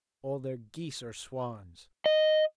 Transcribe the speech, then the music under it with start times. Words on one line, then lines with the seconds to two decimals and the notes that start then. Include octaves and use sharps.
All their geese are swans.
2.06 D#5